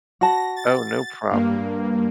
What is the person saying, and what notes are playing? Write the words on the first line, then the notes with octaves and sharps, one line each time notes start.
Oh, no problem.
F#4 A5 B5 A#6
A6
G2 A#3 F5